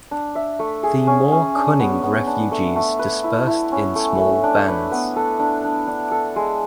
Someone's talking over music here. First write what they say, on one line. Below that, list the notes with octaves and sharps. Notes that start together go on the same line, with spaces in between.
The more cunning refugees dispersed in small bands.
D4
E5
A3
G#4
C#4
C#4
D4
B3
B3
D4
A3
A3
B4
E4
E4
C#4
A3
A3
D4
B4
B3
A4
D4
D4
D4
A4
G#3